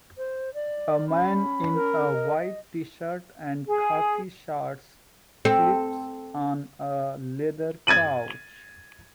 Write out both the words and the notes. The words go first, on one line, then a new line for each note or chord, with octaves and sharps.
A man in a white tshirt and khaki shorts sleeps on a leather couch.
C5
D5
C#4 B5
A#4
D#5
G#4
C4 A4
G#6 A6 D#7 F#7